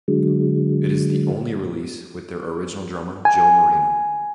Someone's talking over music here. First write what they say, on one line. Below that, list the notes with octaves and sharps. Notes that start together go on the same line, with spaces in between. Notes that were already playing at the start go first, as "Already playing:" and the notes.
It is the only release with their original drummer Joe Marino.
D3 F#3 G#3
G#5